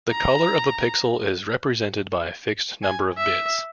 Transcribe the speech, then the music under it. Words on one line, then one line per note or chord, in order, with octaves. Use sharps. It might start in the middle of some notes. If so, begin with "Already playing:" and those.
The color of a pixel is represented by a fixed number of bits.
A#5
G#5
E5